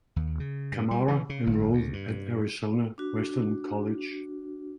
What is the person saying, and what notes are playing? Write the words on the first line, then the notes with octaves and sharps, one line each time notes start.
Kamara enrolled at Arizona Western College.
D#2
C#3
G2
G3
E3
C#3
G1
D2
G2
D4 F#4